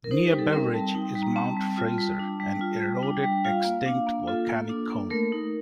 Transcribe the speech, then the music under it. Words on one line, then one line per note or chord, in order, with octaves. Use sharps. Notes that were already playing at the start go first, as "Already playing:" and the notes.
Near Beveridge is Mount Fraser, an eroded extinct volcanic cone.
A#4
D#4 C5
G4
G3
A4
C4 A#4
G3 A5
D#4 G5
G3
A#5
C4 A5
G3
F4
G3
D4
G3
F4
G3
D4 G5
G3
F4 F5
A#3
D4
A#3
F4 A4
A#3
D4
A#3
A3 A#4
D#4